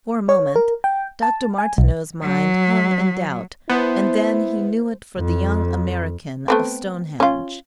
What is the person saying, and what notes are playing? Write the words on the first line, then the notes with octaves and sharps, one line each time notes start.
For a moment Dr. Martineau's mind hung in doubt and then he knew it for the young American of Stonehenge.
C#5
A#4
G5
A5
G#5
B1
F#3
B3 E4 C5 A5
F2
A3 B3 C4
C#4 F4